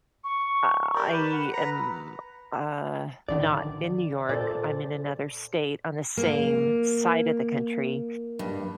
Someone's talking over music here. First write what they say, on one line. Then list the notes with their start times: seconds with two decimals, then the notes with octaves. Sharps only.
I am, uh, not in New York, I'm in another state on the same side of the country,
0.24 C#6
0.95 G4 A#4 D5
1.13 B4
1.33 F#5
1.53 B4 A#5
3.29 A1 D3 D#3 D5
4.29 A#2 A4 C5 D5
6.17 A#3
8.39 G2